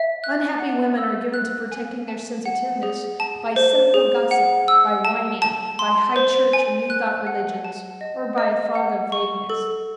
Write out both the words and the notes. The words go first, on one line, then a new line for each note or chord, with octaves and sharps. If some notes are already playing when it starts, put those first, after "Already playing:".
Unhappy women are given to protecting their sensitiveness by cynical gossip, by whining, by high-church and new-thought religions, or by a fog of vagueness.
Already playing: E5
F#6
F#5
E6
F#6
G#5
A5
F#5
G#4
A5
C5
G#4
F#5
E6
A5
A5
C6
C5
G#5
F#6
F#5
A5
D#5
D#5
F#5
C#6
A4